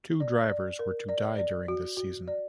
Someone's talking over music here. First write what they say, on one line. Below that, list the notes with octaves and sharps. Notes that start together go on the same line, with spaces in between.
Two drivers were to die during this season.
D5
D5
A#4
D5
D5
F#4
F#4
D5